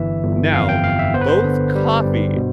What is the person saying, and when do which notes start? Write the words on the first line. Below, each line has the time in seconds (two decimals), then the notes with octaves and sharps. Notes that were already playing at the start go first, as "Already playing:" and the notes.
Now, both coffee
Already playing: G1 E3 E5
0.23 G1
0.53 F2 F5
0.69 G5
0.84 G1 F5
0.99 E5
1.14 B3 C5
1.21 B4
1.29 C5
1.44 D3
1.75 G3
2.05 G2
2.36 B2